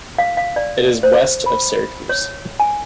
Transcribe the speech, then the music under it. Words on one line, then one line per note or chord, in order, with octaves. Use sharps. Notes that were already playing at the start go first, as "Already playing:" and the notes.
It is west of Syracuse.
F5
F5
D5
C5
B5
C#5
G#5